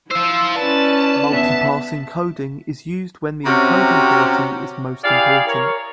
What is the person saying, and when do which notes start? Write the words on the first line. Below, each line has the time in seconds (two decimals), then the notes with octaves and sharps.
Multi-pass encoding is used when the encoding quality is most important.
0.11 E4 F4 C5 E6
0.57 C#4 B4 D5 A5
1.30 B3 E5
3.46 C3 C4 C#4 F#4 G4 A#5
5.04 E4 G4 G#4 D5 F5
5.47 A#4 C#5